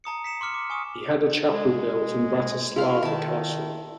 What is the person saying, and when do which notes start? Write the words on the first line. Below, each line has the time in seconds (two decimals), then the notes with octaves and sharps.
He had a chapel built in Bratislava Castle.
0.04 A5 A#5 D#6 C#7
0.24 B6 C#7 E7
0.41 C6 D6 F6 C#7
0.54 D6
0.70 G#5 C#6 D#6
1.51 G#3
2.76 E4 F4 F5
3.03 D#3 E4 A5